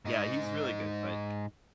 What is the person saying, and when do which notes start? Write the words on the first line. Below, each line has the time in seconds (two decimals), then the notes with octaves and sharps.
Yeah, he's really good, but,
0.05 G#2 D#4